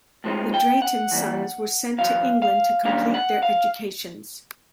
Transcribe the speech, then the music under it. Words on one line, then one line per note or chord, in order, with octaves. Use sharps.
The Drayton sons were sent to England to complete their educations.
A2 F3 G#3 C4 D#4
G5
F#5
E3 G3 A#3
E2 B2 F#3 F5
F5
F#2 D#3 G3 A#3 D4 F5
F#5
F5